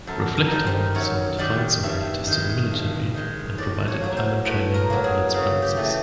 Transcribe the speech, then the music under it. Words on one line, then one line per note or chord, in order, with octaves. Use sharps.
Reflectone sold flight simulators to the military and provided pilot training on its premises.
F#2 A4
A#4
D#3 G3
C5
F#2 C#5
D#3 G3 D5
G2 E5
D#3 G#3
G2
D#3 G#3
A2 D5
C#5
F#3 A#3
C5
A2 B4
A#4
F#3 A#3
G#4
C#3
G4
E3 A3